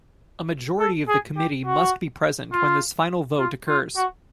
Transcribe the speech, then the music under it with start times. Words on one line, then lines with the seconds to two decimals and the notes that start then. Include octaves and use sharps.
A majority of the committee must be present when this final vote occurs.
0.79 A4
1.08 G#4
1.37 G4
1.66 F#4
2.52 F4
3.39 F4
3.68 F4
3.97 F#4